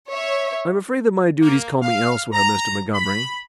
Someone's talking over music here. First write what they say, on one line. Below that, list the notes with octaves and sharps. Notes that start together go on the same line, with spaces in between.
"I am afraid that my duties call me elsewhere, Mr. Montgomery."
C#5 E5
A#3
F5
A#5
B5